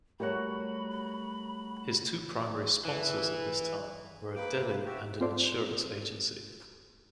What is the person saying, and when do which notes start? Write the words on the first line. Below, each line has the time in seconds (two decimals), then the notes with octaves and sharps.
His two primary sponsors at this time were a deli and an insurance agency.
0.20 F#3 G3 A3 F#4 G4 A#4 C#5 B5
2.85 E3
4.36 A#3 B4 G5 D6
4.86 F#4 G4 E5
5.21 C4 F4 A4 C5 D5